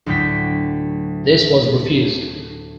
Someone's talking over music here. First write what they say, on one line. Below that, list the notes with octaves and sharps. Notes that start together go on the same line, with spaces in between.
This was refused.
D2 A2 F#3 G5 B6